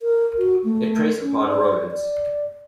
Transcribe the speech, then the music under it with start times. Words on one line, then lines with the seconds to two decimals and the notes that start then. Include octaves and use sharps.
It preys upon rodents.
0.02 A#4
0.38 F#4
0.64 A3
1.22 C#4
1.47 D5
1.91 D5